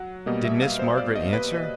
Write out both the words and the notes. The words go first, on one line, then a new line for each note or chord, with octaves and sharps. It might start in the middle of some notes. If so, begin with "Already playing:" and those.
"Did Miss Margaret answer?"
Already playing: F#3 F#5
B2 G3 A#3 D#5
E5
F5
C5
D5
D#5
B4